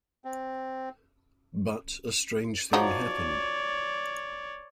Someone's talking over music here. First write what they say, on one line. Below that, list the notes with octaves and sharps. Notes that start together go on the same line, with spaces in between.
But a strange thing happened.
C4
F3 F#3 D#4 C#5 D5